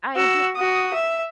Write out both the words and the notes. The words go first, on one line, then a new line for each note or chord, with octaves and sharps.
I just
F#4 E6
F#4 D#6
E5